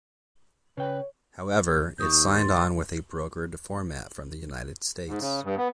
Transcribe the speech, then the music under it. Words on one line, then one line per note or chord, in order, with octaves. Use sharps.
However, it signed on with a brokered format from the United States.
C#3 B4 C#5 G5
D#2 C#6 D#6 G6
C6 A6
G#2
C#3
G2
B3